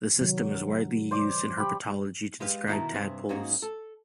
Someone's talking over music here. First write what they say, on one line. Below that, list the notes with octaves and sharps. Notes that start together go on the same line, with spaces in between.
The system is widely used in herpetology to describe tadpoles.
C3 D#3 F#3
C5 D5 D6
G4 B5
G#3 G4 B4 F5
B2 D#3 E4 F#4 A5 A#5
G2 C3 G#4
G#2 A#3 C#4 D#4 F#4 G#4
A4